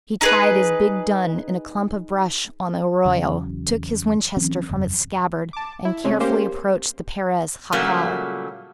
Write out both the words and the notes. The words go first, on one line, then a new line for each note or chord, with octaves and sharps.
He tied his big dun in a clump of brush on the arroyo, took his Winchester from its scabbard, and carefully approached the Perez /jacal/.
D#4 G#4 B4
E2 C#3 F#3
E3 F#3 C4 C#4
G1 F2 C#3 F#3
A5 D6
E4
C3 G#3 A3 C#4
A#3 C#4 G4 C5
A#2 C#3 F#3 G3 A3 A#3